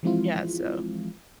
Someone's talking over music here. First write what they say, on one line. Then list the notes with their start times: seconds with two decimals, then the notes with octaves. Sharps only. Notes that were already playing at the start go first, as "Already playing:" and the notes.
Yeah. So
0.03 E3 F3 G#3 C4 E4 F4